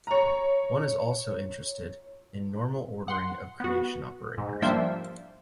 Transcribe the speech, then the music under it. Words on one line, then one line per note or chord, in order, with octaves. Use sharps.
One is also interested in normal ordering of creation operators.
C#5 A#5
F#5 C6
B3 F#4
G#2
F3 G3 A#3 D4 C5 E5